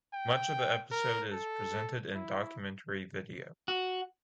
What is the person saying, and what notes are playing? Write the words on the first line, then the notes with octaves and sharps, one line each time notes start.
Much of the episode is presented in documentary video.
G5
A#4
A4
E4
F#4